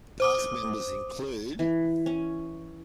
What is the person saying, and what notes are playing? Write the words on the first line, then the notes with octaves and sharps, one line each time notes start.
Past members include...
C5 D6 D#6
E3
C#4